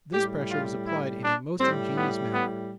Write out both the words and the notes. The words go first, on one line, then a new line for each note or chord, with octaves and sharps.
This pressure was applied in a most ingenious manner.
A2 G3 G4
F4
E4
D4
A2 G3 C4
B3
B3